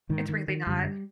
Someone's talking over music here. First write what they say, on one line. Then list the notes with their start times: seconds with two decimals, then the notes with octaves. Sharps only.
It's really not.
0.09 G#2 D#3
0.29 D#3
0.48 D#3
0.67 F#2 D3 G3
0.85 G3